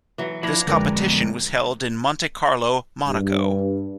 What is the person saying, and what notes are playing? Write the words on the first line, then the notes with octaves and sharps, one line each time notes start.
This competition was held in Monte Carlo, Monaco.
E3 F#3
F3 D4 E4 F5 G#6 A#6
F2 D3 G#3 A#4 B4 D5
F2 B2
G#3
G2